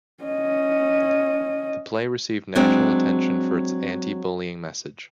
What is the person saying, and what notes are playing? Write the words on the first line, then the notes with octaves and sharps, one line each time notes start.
The play received national attention for its anti-bullying message.
C#4 D#5
F#3 G#3 C4 D4